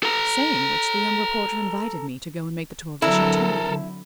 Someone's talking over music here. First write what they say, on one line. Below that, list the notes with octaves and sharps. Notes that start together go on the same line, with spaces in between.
Saying which the young reporter invited me to go and make the tour of the chateau with him.
A4 A#5
D3 F#3 C4 E4 A4 A#4